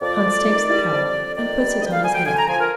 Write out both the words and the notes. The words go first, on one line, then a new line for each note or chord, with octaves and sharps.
Hans takes the calf, and puts it on his head.
F2 D5
F2
D#3
G3
F2
F2
D#3 D5
G3
D2 D#5
G5
F5
D2 G#5
G5
D3 G#5
A#5
F3 G#5
A#4